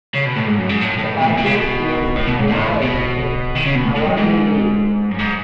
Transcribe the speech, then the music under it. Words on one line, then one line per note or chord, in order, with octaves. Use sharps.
The party is allied with Awami League.
C#3
B2
A2
G#2
F#2
G#2
A2
A2
G#2
B2
A2
B2
C#3
B2
A2
B2
G#2
A2
B2
D#3
C#3
B2
A2
A2
F#2
G#2
F#2
G#2